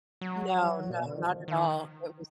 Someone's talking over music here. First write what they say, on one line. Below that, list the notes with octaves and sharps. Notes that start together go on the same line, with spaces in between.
No, no, not at all it was
F#3
A#2
B2
D3
D#3
F3
D#3